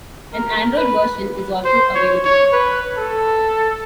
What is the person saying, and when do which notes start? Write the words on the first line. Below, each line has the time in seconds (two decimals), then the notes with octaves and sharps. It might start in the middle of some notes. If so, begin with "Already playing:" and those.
An Android version is also available.
0.33 A#4
0.77 B4
1.64 C5
1.95 C#5
2.24 C#5
2.52 B4
2.97 A4